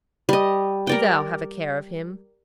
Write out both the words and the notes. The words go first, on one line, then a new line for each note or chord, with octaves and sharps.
Do Thou have a care of him.
G3 D#5
A#4 D5 G5